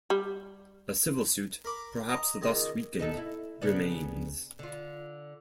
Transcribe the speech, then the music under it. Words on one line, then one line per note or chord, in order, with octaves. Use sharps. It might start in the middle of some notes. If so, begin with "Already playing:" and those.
A civil suit, perhaps thus weakened, remains.
G3
A#4 B5 D6
D#5 A#5
C#2 D#3 D#5
B3 D#4 A4
E4
C#3 B3 D4
D3 F4